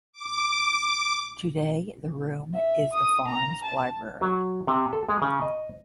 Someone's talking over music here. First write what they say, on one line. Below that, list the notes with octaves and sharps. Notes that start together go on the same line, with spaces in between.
Today the room is the farm's library.
D6
E5
D#6
A#5
A5
F#3
C3
A4
G#3
C#3
D#5